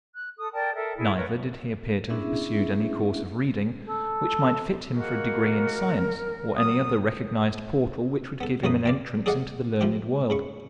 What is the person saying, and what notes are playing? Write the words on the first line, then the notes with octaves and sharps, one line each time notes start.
Neither did he appear to have pursued any course of reading which might fit him for a degree in science or any other recognized portal which would give him an entrance into the learned world.
F#6
A4 D#6
A#4 D5 G5 A5
A4 A#4 E5
E4 G#4 E5
A#4 B4 C#5 C#6
B3 C#4 D4 E4 G#4 E5
A4
G#3 A#3 F#4 A#4
F#3 D#6
B3 A4
F#2 F3 A3 B4 A#5 D#6
D5 F5 G5
G#4 A4 D5 D#5 F5 F#5
F3 E4 F4 G4
C#3 B5 C#6